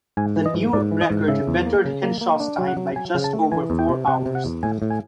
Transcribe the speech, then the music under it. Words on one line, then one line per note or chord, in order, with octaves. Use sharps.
The new record bettered Henshaw's time by just over four hours.
G#2 G#5
E3
D#5
G#2
G#2 D5
E3
D#5
G#2
C#3 E5
E2
A#3
C#3
A#3
A#3
D4
F#3
F#5
F#3
F#3 G#5
C#3
A5
A3
E3 G#5
E2
G5
C3
C3 F#5
C3
F#5
E2
A2 G#5
A2
G#5